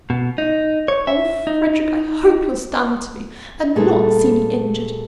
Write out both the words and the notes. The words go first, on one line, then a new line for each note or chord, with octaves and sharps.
Oh, Frederic, I hope you'll stand to me, and not see me injured.
B2
D#4
C#5
E5
D#4
A#2 G3 A3 G#4 A#4 B4